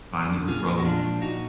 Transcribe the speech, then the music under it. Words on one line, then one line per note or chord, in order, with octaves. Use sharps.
find the root problem?
F#2
D3
A#2 F4 G#4
G#3
F#4
A#2 D4 F4
F3
A#2 D#4 F#4